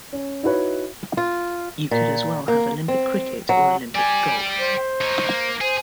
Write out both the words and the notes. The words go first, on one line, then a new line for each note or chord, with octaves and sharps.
You could as well have Olympic cricket or Olympic golf.
C#4
D#4 E4 F#4 B4 C#5
F4
A#2
A#3
C4
F#3
G4 D5 G#5
C5
D#4 C#5
A#3
G#4 C5